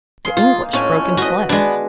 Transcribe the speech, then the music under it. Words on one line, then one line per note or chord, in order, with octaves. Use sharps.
The English broke and fled.
G2 G#4 F5 C6
A#3 D#4 F4
F2 A2 C#4 G#5
B2 F#4 B4 D#5 E5
G#3 B3 D4